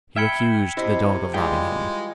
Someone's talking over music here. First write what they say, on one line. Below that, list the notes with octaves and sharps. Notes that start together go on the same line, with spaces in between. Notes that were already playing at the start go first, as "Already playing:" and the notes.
He accused the dog of robbing him.
E5 G5 B5 F6 G#6 C#7
C3 E4 C5 D#5
E3 G3 G#3 F4 G#4 G5